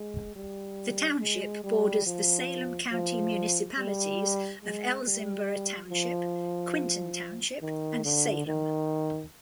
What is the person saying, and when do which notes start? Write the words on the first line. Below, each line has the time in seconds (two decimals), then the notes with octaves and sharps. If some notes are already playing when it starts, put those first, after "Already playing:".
The township borders the Salem County municipalities of Elsinboro Township, Quinton Township and Salem.
Already playing: G#3
0.36 G3
1.21 G#3
1.64 G3
2.06 F3
2.92 F3
3.77 G3
4.62 G#3
5.06 G3
5.91 F3
7.62 D#3
8.04 D3
8.47 D#3